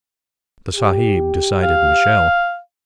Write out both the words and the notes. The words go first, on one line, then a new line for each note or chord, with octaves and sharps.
The "Sahib" decided Michele.
G4
F5